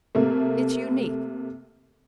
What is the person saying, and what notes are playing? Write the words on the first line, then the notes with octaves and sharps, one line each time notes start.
It's unique.
C3 A3 A#3